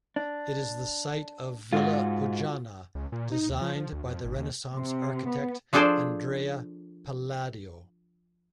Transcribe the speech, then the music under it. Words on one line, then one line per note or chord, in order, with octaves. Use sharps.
It is the site of Villa Pojana, designed by the Renaissance architect Andrea Palladio.
D4
G#2 F4 F#4
C#2
A#2
D#4
D#2
F3
F3
D2
F2
G#1
D#2
C3
B3
F3 D4 G#4 A4 C5 D5